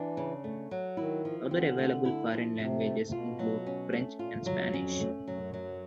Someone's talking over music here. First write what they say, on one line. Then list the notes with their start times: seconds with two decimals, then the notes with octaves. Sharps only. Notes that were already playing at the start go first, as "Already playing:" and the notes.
Other available foreign languages include French and Spanish.
Already playing: E3 D4
0.17 C#3
0.44 A3
0.71 F#3
0.97 D#3 E4
1.25 F3
1.51 D3 C4
1.78 A3
2.05 E4
2.32 F3
2.59 C3 C4
2.86 A3
3.03 C3
3.12 B2 F4
3.39 F#3
3.66 C#4
3.93 A3
4.19 A#2 F4
4.38 A2
4.46 F#3
4.56 E2
4.73 F2 C#4
5.00 A3
5.27 F#2 F#3
5.54 F#3